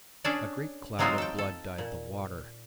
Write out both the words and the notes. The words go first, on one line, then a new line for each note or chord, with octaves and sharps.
A great cloud of blood dyed the water.
C#4 D4 G#4 A4 D5
F#3 G#3 C4 D#4 F4 F#4
A4 G5
A4
A#2